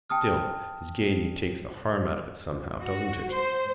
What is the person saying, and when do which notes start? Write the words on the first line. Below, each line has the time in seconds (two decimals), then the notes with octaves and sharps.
Still his gaiety takes the harm out of it somehow, doesn't it?
0.10 G5 A5 D#6 F6
2.82 F#4
3.31 C5